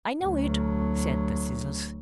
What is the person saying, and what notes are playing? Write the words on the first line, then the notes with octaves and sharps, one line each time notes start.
"I know it," said the scissors.
D2 F#3